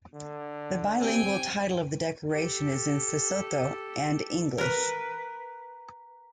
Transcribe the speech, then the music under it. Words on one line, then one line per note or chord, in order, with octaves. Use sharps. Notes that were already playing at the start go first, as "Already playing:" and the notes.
The bilingual title of the decoration is in Sesotho and English.
D3
C4 G4 G5 G#5
G4 A4
A#4 B4